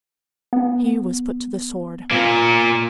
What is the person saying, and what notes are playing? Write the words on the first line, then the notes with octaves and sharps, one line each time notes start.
He was put to the sword.
B3
A#2 A#3